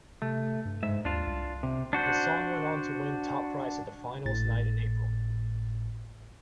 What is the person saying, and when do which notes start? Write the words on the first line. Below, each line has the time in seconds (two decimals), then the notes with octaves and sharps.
The song went on to win top prize at the finals night in April.
0.22 C3 A3
0.65 G2
0.83 G#2 E5
1.05 D#2 D4 F4
1.27 C2
1.63 C3
1.93 D4 F#4 C5
4.25 G#1 A2 A6